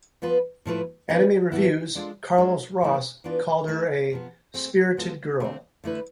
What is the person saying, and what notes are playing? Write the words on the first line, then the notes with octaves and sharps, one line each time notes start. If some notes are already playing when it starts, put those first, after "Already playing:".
Anime Reviews, Carlos Ross called her a "spirited girl".
F3 B3 F4 B4
A2 F3 A3 E4 B4
E3 B3 D4 G#4 B4
A2 E3 B3 E4
G#3 D4 F4 A4
F3 G#3 D4 A4
A2 E3 A3 E4
E3 B3 D4 F4 B4
A3 E4 B4
C3 F3 B3
A3 C4 G#4 C5
G#3 B3 F4 A4
D3 A3 C4
D3 A3 E4 B4